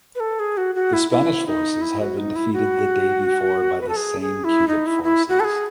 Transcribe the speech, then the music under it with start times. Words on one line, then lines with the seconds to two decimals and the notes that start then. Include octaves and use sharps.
The Spanish forces had been defeated the day before by the same Cuban forces.
0.15 B4
0.20 A4
0.40 G#4
0.57 F#4
0.75 F#4
0.93 E4
1.10 E4
1.47 D#4
1.82 E4
2.00 F#4
2.18 D#4
2.36 E4
2.53 F#4
3.81 B4
3.88 A4
3.96 G#4
4.21 G#4
4.44 E4
4.68 D#4
4.87 E4
5.04 E4
5.29 F#4
5.40 A4
5.44 G#4